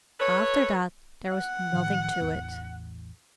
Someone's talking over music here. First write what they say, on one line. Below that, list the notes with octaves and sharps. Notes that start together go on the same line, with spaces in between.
After that there was nothing to it.
A4 B4 C#5
F#5
A2 D#3 F3
A1 E2